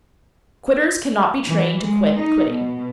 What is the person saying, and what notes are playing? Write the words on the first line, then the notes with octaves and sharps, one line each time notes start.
Quitters cannot be trained to quit quitting.
E3
G#3
D#4
B2